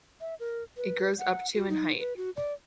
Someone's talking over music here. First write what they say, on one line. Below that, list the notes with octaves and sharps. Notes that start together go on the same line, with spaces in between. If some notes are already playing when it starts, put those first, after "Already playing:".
It grows up to in height.
E5
A#4
B4
F#5
F#4
D#4
B4
F#4
D5